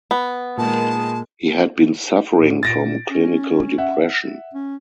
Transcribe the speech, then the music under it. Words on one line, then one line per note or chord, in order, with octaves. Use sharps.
He had been suffering from clinical depression.
B3
A#2 D#3 G#3 A5
A2
A#2 A6 A#6 D7
C#4
E5 F#5
C#4